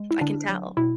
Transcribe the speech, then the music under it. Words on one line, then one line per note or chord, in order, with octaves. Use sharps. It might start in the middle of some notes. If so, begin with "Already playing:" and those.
I can tell.
Already playing: G#3
E4
D3 D4
F#3
B2 E4